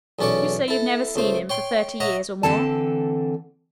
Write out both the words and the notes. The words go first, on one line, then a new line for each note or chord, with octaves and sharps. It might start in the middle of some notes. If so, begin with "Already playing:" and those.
You say you've never seen him for thirty years, or more?
B1 E2 C#4 A4 D5 C#6
E4 A4
C#2 A3 C5
C#5 G5 C6
C#5 D#5 E5 F#5 A#5
D3 E3 C4 A4 A5